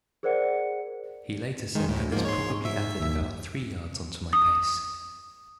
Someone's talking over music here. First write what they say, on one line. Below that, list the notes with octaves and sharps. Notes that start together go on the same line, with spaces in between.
He later said that this probably added about three yards on to my pace.
G#4 A#4 C5 D5 F#5 C#7
D#3 G#3
D2 A2
G#2 F3 A#3
C#5 C6
E5
D#2
D#6